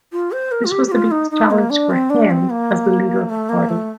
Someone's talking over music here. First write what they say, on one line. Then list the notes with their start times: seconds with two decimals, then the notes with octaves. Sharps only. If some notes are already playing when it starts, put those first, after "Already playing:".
This was the biggest challenge for him as the leader of the party.
0.12 F4
0.32 C5
0.51 A#4
0.65 F4
0.71 G4
0.87 G4
0.92 F4
1.11 D#4
1.31 D#4
1.51 A#3
1.70 D4
1.91 C4
2.10 D4
2.30 C4
2.50 A#3
3.30 A3
3.49 A#3
3.69 A3